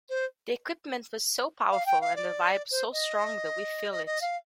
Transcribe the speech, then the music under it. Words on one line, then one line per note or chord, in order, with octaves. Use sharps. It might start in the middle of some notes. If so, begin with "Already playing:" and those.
The equipment was so powerful and the vibe so strong that we feel it.
C5
F5
G5
F5
D5
C5
D#5
D#5
D#5
F5